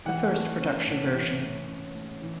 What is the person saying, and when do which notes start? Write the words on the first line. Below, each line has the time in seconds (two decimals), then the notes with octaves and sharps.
The first production version.
0.05 E3 F#5
0.33 A3
0.59 C#4
0.86 A2
1.14 E3
1.40 A3
1.68 C#4
1.95 A2
2.22 E3